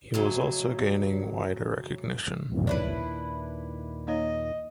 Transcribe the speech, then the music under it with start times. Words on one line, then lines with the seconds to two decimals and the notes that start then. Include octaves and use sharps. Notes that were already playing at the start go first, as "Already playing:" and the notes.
He was also gaining wider recognition.
0.14 F2 A2 C#3 F#3
2.67 D#2 A#2 D#3 D4 E4 B4 C#5 D5
4.07 A#3 D#4 C#5 D#5